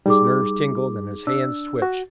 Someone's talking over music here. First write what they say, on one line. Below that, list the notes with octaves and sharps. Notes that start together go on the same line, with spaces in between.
His nerves tingled and his hands twitched.
G3 D#4 G#4 D6
D4 E6
F#4